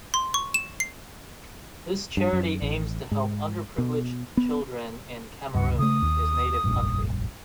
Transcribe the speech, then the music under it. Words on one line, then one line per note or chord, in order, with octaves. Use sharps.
This charity aims to help underprivileged children in Cameroon, his native country.
C6
C#6
E7
C7
G2
F#2
A1
G#2
B2
B3
D1 C#2 G2 F#5
C#3 A3 D#6
D#2
F1 A#1 G2